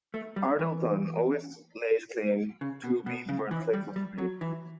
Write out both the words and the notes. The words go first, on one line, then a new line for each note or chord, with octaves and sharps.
Ardlethan also lays claim to be the birthplace of the breed.
A3
G3
E3
C#3
B2
B2
C#3
E3
G3
G3
F#3
E3